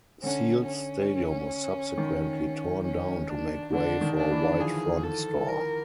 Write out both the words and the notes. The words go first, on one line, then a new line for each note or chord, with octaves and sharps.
Seals Stadium was subsequently torn down to make way for a White Front store.
D3 C#4
C#4
D#3
C#4
D4
D3 D4
D#3
D4
E3
F3 G#4
A4
A#4